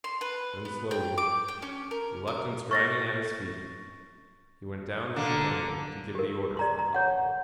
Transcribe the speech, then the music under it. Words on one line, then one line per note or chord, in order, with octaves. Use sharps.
Then slowly, reluctance dragging at his feet, he went down the companion to give the order for the cock-boat.
C6
B4
B3
G5
D6
G5
C#4
A#4
A#4
C#6 A6 A#6
D3 A#3
G4 A#4
D5 A#5 C6
A#5
C#5 F#5